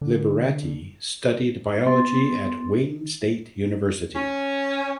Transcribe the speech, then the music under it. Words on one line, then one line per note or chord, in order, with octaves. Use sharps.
Liberati studied biology at Wayne State University.
D3
B3 C6 A6
C#4